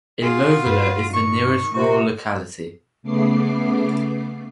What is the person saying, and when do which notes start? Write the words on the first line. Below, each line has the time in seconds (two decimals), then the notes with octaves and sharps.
Ilovlya is the nearest rural locality.
0.22 F4 F#4 G#4
0.66 G2 B4
1.14 D#3 C#6
1.74 C3 A#3 F#4 C5 C#6
3.03 C#3 A3 B3 D6 C7